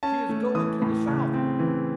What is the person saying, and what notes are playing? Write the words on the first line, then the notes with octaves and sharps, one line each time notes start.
"She is going to the southward."
C#4 A5
A3
E3 D#6
A2
C#3
C4
E3